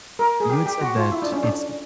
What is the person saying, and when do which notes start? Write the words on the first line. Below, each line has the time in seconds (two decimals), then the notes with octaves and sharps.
you had said that it's
0.19 A#4
0.40 G#4
0.50 G4
0.66 G4
0.81 F#4
0.96 F4
1.12 E4
1.22 D4
1.32 C#4
1.43 D4